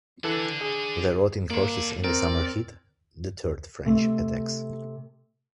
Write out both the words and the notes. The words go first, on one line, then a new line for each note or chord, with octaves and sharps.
The rotting horses in the summer heat deterred French attacks.
E3 D4 A4 F#5
G#4
A#3 A4 D5
C4 A#4 D5
C3 A3